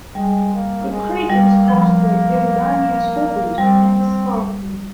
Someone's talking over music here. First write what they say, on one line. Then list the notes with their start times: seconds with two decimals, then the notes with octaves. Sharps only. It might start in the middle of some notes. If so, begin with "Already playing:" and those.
The crater is crossed by Eridania Scopulus, an escarpment.
0.15 G3 G#3
0.54 A#3
0.91 G#3
1.29 G3 A#3
1.68 F3
3.58 G3 C4
3.96 C4